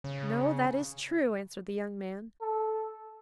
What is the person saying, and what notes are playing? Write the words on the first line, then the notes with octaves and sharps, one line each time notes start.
'No; that is true,' answered the young man.
C#3
A4